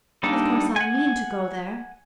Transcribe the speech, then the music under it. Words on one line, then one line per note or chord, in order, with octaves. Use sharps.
Of course I mean to go there.
G3 A#3 D4 D#4 A4
F#5 G#5